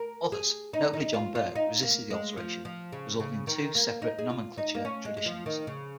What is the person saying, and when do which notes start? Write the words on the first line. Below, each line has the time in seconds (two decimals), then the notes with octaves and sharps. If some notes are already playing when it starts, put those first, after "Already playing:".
Others, notably John Burke, resisted the alteration, resulting in two separate nomenclature traditions.
Already playing: A#4
0.32 G#4
0.73 D#4
0.93 D#4
1.14 F4
1.35 F4
1.55 D#4
1.83 A#3
2.11 G#3
2.37 F3
2.65 F3
2.92 C#3
3.20 C#3
3.47 D#3
3.75 A#3
4.02 D#4
4.19 G#4
4.30 F4
4.58 D#4
4.75 A#3
4.85 C#4
5.05 G#3
5.17 G#3
5.26 F3
5.46 D#3
5.67 C#3